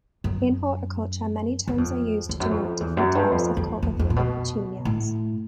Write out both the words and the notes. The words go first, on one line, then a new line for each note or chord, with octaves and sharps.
In horticulture many terms are used to denote different types of cultivated petunias.
F#2
F#2
F2
F2
F#2
F2
E2
F#2
G2
F2
F2
F2
F2
A#2
B2
A2